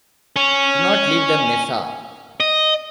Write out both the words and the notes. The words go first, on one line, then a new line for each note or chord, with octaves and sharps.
Do not leave the mesa.
C#4
D#5